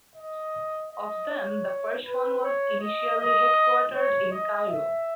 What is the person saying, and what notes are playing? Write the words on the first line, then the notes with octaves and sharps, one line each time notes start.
Of them the first one was initially headquartered in Cairo.
D#5
D#5
C#5
B4
C#5
D#5
D#5
C#5
D#5
E5